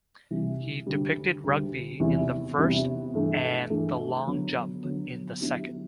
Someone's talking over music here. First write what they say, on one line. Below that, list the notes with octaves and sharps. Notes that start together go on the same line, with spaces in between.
He depicted rugby in the first and the long jump in the second.
C2 C3 E3 G3
D2 D3 G3
D2 D3 G3
E2 C3 G3 B3 E4
E2 C3 G3 B3 E4
G2 E3 A3
G2 E3 A3
D3 F#3 B3
D3 F#3 B3
D3 F#3 B3 E4 G4